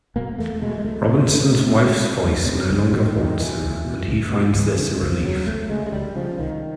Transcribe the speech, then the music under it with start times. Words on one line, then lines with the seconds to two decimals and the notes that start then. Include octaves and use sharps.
Robinson's wife's voice no longer haunts him, and he finds this a relief.
0.16 B2 A#3
0.38 E2 A3
0.62 B2 G#3
0.78 G#3
0.85 D2 A3
1.08 C3 B3
1.31 D2 A3
1.54 C3
1.68 A3
1.77 D2 G#3
2.00 C3
2.23 D2
2.46 C3
2.70 C#2
2.93 B2 D#3
3.16 C#2 D#3
3.39 B2 E3
3.62 C#2
3.85 B2
4.08 C#2
4.31 B2
4.54 C#2 E3
4.77 C#3
5.00 C#2 F3
5.23 C#3 F#3
5.46 C#2 A3
5.69 C#3 G#3
5.86 G#3
5.92 C#2 G3
6.16 C#3 F3
6.38 C2 D#3